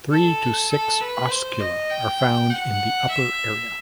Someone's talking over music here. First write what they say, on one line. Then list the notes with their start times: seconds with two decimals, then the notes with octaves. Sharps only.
Three to six oscula are found in the upper area.
0.11 A4
0.70 A4
1.01 B4
1.30 C5
1.60 D#5
1.90 G5
2.50 F#5
3.10 E5